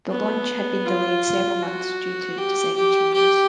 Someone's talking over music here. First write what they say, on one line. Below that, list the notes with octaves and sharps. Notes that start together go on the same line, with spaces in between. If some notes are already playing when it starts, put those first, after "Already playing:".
The launch had been delayed several months due to design changes.
B3
F4
F#4
G4
G4
G4